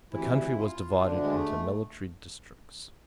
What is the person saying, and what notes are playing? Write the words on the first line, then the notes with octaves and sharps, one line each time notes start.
The country was divided into military districts.
D2 C3 E3 E4
F4
D2 D3 D4
G#3
A3